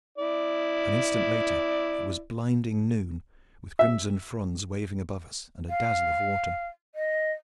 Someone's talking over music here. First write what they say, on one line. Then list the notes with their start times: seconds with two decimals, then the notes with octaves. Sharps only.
An instant later it was blinding noon, with crimson fronds waving above us and a dazzle of water.
0.18 E4 D5
3.79 E5
5.70 F5
6.95 D#5